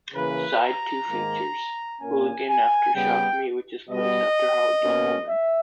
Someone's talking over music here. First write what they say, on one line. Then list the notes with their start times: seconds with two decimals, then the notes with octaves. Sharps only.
Side two features "Hooligan" after "Shock Me", which is placed after "Hard Luck Woman".
0.15 C#3 E3 A#3 B4
0.61 A#5
1.09 G#2 D#3 A#3
2.02 A#2 A#3 C#4 G#5
2.49 G#5
2.95 C#3 G3 B3 G5
3.89 B2 G3 B3 D#5
4.83 B2 A#3 C#4
5.29 E5